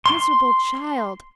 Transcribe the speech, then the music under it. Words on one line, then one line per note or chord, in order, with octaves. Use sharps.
Miserable child!
C6